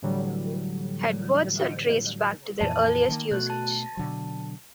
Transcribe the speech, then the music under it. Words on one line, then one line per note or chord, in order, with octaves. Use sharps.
Headwords are traced back to their earliest usage.
A2 D3 E3 F#3 G3
F2 A#2 E3 A5
D#3 A3 A#3
B2 A3 F#4 F#6
A5
B2 D3 F#3